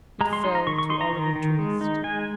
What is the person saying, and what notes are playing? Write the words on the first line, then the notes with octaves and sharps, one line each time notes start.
It fell to Oliver Twist.
G#3 A#5
C6
D#4 C6
A#5
D#3 C#6
C#6
D#4 C6
A#5
D#3
D#3
G#3
D#4
G#3 G#5